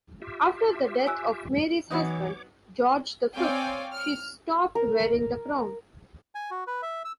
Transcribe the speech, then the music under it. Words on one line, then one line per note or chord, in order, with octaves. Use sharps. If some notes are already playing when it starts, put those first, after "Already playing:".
After the death of Mary's husband, George the Fifth, she stopped wearing the crown.
F4 G4 E5
G#5 E6 F#6
E3 F#3 B3 D#4 C#5 D6
C4 C#5 D5 F5 G5 G#5
F6
A#4
G#5
F#4
B4
E5
E6